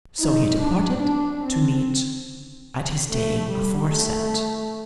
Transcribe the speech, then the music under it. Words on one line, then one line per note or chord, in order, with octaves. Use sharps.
So he departed to meet at his day aforeset.
D#4
D4
D4
C4
A3
G3
A3